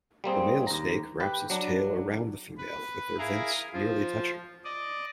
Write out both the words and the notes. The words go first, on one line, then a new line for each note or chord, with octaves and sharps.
The male snake wraps its tail around the female with their vents nearly touching.
G3 A#3 C4 G#4
D#2 A#5
G4 B4
F#3 D4
B4
E4 G#4 A#4 F5
F3 F4
D5 D#5